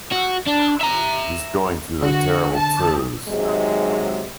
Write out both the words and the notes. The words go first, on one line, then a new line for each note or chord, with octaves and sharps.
He's going through the terrible two's!.
F#4
D4
E5 A#5
D3 F#4
A5
D#2 G#2 C3 F#3 G#3